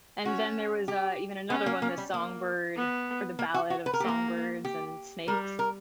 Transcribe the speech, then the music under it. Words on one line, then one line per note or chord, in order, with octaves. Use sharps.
And then there was, uh, even another one, The Songbird or "The Ballad of Songbirds and Snakes"?
C#4 F#4
G4
B3 C#4
A#3
A#3
G3
A#3
B3
A#3
F#4
F#4
B4
A#4
A#3 G4
A#4
G4
G3 A#4
A#4